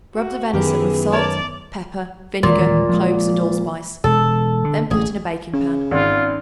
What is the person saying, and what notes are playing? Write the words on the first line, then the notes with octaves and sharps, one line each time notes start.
Rub the venison with salt, pepper, vinegar, cloves and allspice; then put in a baking-pan.
F#4
F#2 D#3 E3 B3 G4 G#4 A#4
A#4 C#5 D5 A5
D#1 A#2 E3 G#3
F3 G#3
E1 G#3 A4
D3
A1 G#4
C#3 C#4
G#1 F4